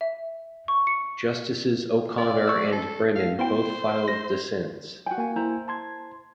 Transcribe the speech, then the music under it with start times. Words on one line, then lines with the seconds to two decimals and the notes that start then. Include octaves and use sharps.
Justices O'Connor and Brennan both filed dissents.
0.01 E5
0.68 C#6
0.87 C#7
2.18 D5
2.46 C#6 E6 F#6
2.72 A4
3.15 F5
3.39 B3 E4 C5 G5
4.08 A#6
5.06 F#4 G5 G#5
5.18 A#3 G#5
5.36 E4 C5 A#5
5.68 A5 C6 G#6